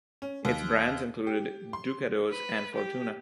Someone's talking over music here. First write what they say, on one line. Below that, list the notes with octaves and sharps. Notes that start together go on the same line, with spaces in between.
Its brands included Ducados and Fortuna.
C#4
D#2
G4
C6
B4
G4